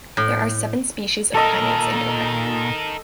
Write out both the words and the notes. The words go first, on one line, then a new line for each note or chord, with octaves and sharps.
There are seven species of primates in Nokrek.
A2
A#2 D#4 A4 A#4 D#5